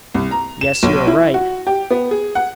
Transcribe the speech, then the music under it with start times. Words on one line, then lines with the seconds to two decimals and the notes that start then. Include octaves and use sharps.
"Yes, you are right."
0.14 C2
0.31 A#5
0.61 E7
0.83 B1
1.07 E4
1.34 F#4
1.67 G4
1.90 B3
2.11 G#4
2.35 F#5